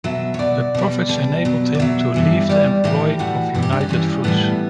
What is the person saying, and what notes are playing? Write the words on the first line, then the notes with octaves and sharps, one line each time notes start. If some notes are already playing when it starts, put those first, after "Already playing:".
The profits enabled him to leave the employ of United Fruits.
B2 F#3 E5
C#5
B2 F#3 D5
B2 G3
B2 G3
B2 F#3
D5
B2 F#3 E5
G2 E3 G3
G2 E3 G3 D5
A2 E3 G3 G4
A2 E3 G3 F#4
G2 E3 G3 E4
G4
D4
C#4
G2 E3 G3
A2 E3 G3 B3